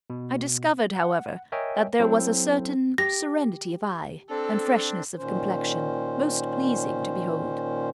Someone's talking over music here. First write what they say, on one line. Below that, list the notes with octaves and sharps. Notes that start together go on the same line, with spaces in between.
I discovered, however, that there was a certain serenity of eye, and freshness of complexion, most pleasing to behold.
B2
F#5
A#4 C#5 D#5 E5 G5 G#5
F#3 C4 E4 A4 C5
G4 A#6
C4 D4 A4
A#2 D#3 C#4 C5